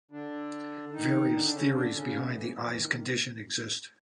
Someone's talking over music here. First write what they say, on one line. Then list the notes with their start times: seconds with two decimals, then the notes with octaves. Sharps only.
Various theories behind the eye's condition exist.
0.11 D3 D4
0.93 D#3 D#4
1.34 D3 D4
1.45 D4
1.54 C#3 C#4
1.75 D3 D4
1.95 C#3 C#4
2.16 B2 B3
2.26 A2 A3
2.36 E3
2.57 F2 F3
2.66 E3
2.77 D#3